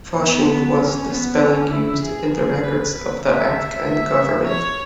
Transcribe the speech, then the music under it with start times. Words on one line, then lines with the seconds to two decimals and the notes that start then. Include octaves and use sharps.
Fushing was the spelling used in the records of the Afghan government.
0.19 B3
0.80 C#4
1.10 B3
1.41 C#4
1.71 E4
2.02 G#4
2.33 G#4
2.64 B4
3.24 E5
3.85 E5
4.47 C#5